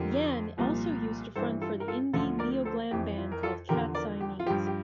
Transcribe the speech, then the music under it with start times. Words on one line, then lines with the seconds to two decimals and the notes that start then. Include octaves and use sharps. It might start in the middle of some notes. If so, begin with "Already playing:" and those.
Yan also used to front for the indie neo-glam band called Cat Siamese.
Already playing: F2 D3 F3 G4 A#4
0.58 C2 A#2 F3
1.36 G2 E3 A4 C5
1.62 F4 A4
1.80 A#4
1.88 F4 A4
2.13 D2 D3 F3 F4 A4
2.39 A#4 D5
2.65 A4 C5
2.91 F2 E3 G4
3.18 F4
3.32 A#4
3.43 F4 A4
3.69 E2 D3 F3 G4 A#4
3.95 A#4 D5
4.21 G4
4.39 F4
4.46 F3 G4
4.50 G2
4.67 G4